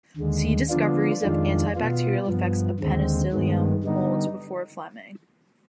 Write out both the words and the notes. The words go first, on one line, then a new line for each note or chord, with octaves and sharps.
See Discoveries of anti-bacterial effects of penicillium moulds before Fleming.
D#2 D3 G#3
D3 F3 B3 D4 F4
F2 D#3 G#3 D4 F4
B2 B3 F4
G2 F3 B3
D#2 D3 G#3 C4
G2 D#3 G#3 B3
D3 G3 B3 D#4